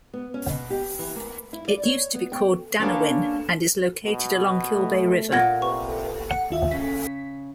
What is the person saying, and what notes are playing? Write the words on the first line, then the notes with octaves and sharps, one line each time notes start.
It used to be called Danawin and is located along Kilbay River.
B3
C#4
B2
G4
E3
A#3
E4
D5
C#5
B3
G5
A#3 C#4 D4 G#4 A4 B4
B2
A3
A#2 F#5 G#6 A#6
C3 B4 C#6
F#5 C#7
D#2 F4 E5
C#3 B6